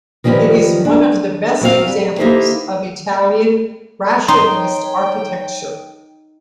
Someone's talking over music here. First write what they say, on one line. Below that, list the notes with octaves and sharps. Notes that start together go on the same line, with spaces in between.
It is one of the best examples of Italian Rationalist architecture.
D#3 F3 G3 C#4 B4
D4
F#3 C4 F5
G3
A#3 D#4 E4 G4 A4 C5
D#4 C#5 G5 C6